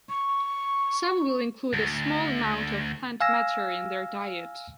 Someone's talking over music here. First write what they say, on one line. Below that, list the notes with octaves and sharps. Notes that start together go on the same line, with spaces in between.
Some will include a small amount of plant matter in their diet.
C#6
D2
F5 G#5 E6 A#6